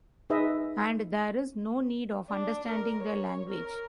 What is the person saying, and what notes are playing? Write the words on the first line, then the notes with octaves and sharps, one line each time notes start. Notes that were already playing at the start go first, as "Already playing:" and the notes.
And there is no need of understanding the language.
D#4 G#4 B4 D#5 E5
D4
A#4
C#5
A#4